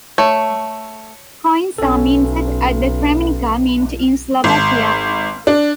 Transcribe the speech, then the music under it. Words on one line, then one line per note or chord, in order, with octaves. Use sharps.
Coins are minted at the Kremnica mint in Slovakia.
A3 C#5
B1 C#4 A4
G#1
D4